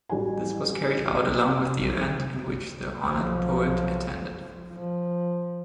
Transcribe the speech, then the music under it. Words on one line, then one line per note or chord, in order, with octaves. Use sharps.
This was carried out along with the event in which the honored poet attended.
A1 G3 F#4 G#5
B1 F3
F3